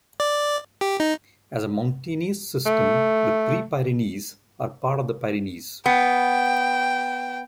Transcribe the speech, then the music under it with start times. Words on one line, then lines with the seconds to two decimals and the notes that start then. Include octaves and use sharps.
As a mountainous system the Pre-Pyrenees are part of the Pyrenees.
0.20 D5
0.81 G4
1.00 D#4
2.66 A3
5.86 B3 G5